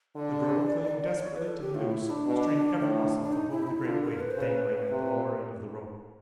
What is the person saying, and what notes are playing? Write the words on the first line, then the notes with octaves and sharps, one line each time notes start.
The girl, clinging desperately to the noose, strained every muscle to hold the great weight dangling at the lower end of the rope.
D3 D5
C#5
B4
A4
G4
A2 F4
E4
D4
B2
A2
D4
D#4
E4
D#4
E4
D3 F4
A#4
B4
C5
C#3 B4
C3